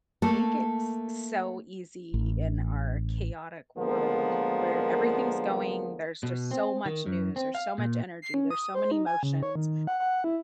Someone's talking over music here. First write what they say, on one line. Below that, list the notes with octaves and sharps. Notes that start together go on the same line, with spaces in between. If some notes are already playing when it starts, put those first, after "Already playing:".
I think it's so easy in our chaotic world where everything's going, there's just so much news or so much energy, there's so many emotions
A3 A#3 A4
A1
D2 F3 G#3 A#3 B3 A#4
B2
C4
D#3
F#2
C4
F5
A#2
C7
C#4
D#6
C5
D#4
G#5
C#3
C#5
D#3
F#5
F#5
E4